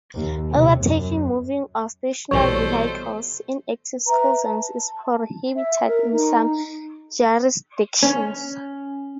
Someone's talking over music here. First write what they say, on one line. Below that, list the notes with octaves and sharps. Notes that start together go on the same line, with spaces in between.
Overtaking moving or stationary vehicles in active school zones is prohibited in some jurisdictions.
D#2
C3
F#2
A#1 B2 E3 G3 A3 C5 C#5
B4 E5 A#5
A5
E5
A#4
D#4
C#4